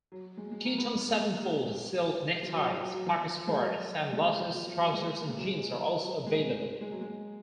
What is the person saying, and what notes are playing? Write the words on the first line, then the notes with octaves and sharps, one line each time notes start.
Kiton sevenfold silk neckties, pocket squares, sunglasses, trousers and jeans are also available.
F#3
G#3
G#3
A#3
B3
A#3
B3
A#3
A#3
G#3
F3
F#3
F3
F#3
F#3
F3
G#3
F#3
G#3
F3
F3
F#3
G#3
A#3
G#3
F#3
G#3
F3
F#3
G#3
G#3
F#3
G#3